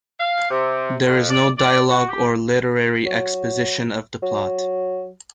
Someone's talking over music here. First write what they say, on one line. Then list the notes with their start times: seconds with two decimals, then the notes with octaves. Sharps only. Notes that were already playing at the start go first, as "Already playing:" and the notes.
There is no dialogue or literary exposition of the plot.
0.20 F5
0.50 C3
1.05 F2
1.29 D5
1.58 D5
1.89 F#4
2.08 G4
3.06 F#3
4.22 F#3